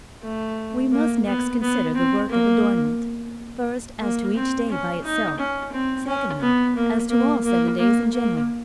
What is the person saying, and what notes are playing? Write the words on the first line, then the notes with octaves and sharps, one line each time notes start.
We must next consider the work of adornment, first as to each day by itself, secondly as to all seven days in general.
A3
A#3
B3
B3
C4
A#3
A#3
C4
C#4
D#4
C#4
C4
C#4
B3
A#3
A#3
A#3
A#3
A#3